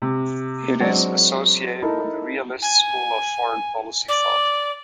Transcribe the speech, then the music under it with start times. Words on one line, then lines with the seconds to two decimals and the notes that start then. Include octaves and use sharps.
It is associated with the realist school of foreign policy thought.
0.02 C3
0.80 F#3 G#3 C4 D4
1.82 D#4 E4 A4 A#4
2.62 G#5
4.08 D5